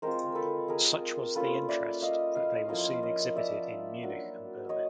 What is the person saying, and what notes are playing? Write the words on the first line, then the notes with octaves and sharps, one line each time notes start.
Such was the interest that they were soon exhibited in Munich and Berlin.
G#3 C4 F4 A#4 C5
A4 B4
G#4 A#4
A#3 C#4 F4 A4 B4
D5 E5
D#5 F5
D#5 F5
F3 A#3 C#4 E4 D#5 F5
C#5 D#5
D5 E5
F#3 A#3 D4
C#5 D#5